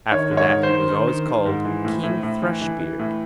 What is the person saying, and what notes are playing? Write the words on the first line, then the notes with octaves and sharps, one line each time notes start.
After that, he was always called 'King Thrushbeard.'
D#3 C#5
G#2
C#5
D#3
C5
D#3
D#3
D#3
D#3
G#2
E3
A2
A2
A2
E3
E3
E3
A2